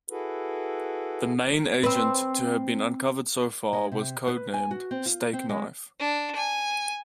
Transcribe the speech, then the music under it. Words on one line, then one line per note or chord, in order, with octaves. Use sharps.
The main agent to have been uncovered so far was codenamed "Stakeknife".
E4 F#4 G#4 A4 B4
C4 B4
G#3
C3
B4
G#5
F#4
C4
F4
C4
G#3
D4
G#5